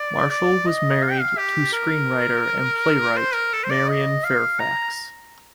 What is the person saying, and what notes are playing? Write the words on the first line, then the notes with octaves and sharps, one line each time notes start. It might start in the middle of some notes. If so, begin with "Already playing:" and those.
Marshall was married to screenwriter and playwright Marion Fairfax.
Already playing: D5
D5
D#5
F5
G5
F5
G4
A#4
C5
A#4
A4
C5
D5
D#5
F5
A#5